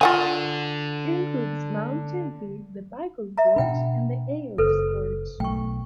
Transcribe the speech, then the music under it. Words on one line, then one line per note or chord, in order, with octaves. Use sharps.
It includes Mount Tymfi, the Vikos Gorge and the Aoos Gorge.
D3 F4 F#5 G#5
E5 A#5
B2 D4 F#5 G5 B5
F#1 A4 B4 C5
B1 A3 G5 C#6